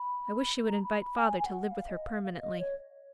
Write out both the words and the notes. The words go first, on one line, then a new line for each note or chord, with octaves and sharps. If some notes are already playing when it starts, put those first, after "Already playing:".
I wish she would invite father to live with her permanently.
Already playing: B5
A#5
B5
B5
G#5
G#5
F#5
F5
D#5
F5
F5
F5
D#5
C#5